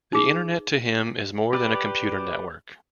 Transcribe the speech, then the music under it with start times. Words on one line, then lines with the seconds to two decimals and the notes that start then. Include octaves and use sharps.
The Internet to him is more than a computer network.
0.13 D#4 G#4
1.53 G4 B4 D5